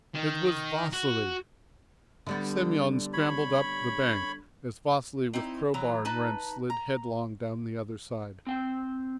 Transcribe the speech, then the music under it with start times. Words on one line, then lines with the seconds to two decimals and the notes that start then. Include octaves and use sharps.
It was Vasily! Semyon scrambled up the bank, as Vasily with crow-bar and wrench slid headlong down the other side.
0.15 D#3
0.94 F#4
2.27 D3 G3 B3
3.13 C#5 B5
5.33 C4 D#4 E4
5.74 E3 F#3 A#5
6.05 D#4 B4 A5
6.70 A#5
8.47 C4 G5